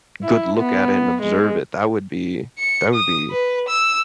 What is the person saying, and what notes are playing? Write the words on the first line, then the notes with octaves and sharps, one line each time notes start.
good look at it and observe it. That would be that would be
E4
B3
G#3
C#7
D#6
B4
E6